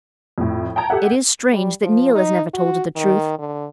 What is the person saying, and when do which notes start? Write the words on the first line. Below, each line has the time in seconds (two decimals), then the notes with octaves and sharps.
It is strange that Neil has never told her the truth.
0.38 F2 A2
0.76 G5 A5 A#5 G#6
0.90 G4 A4 E5 F#5
1.53 G3
1.83 F3
2.15 D#4
2.54 F#4
2.96 D#3
3.39 D3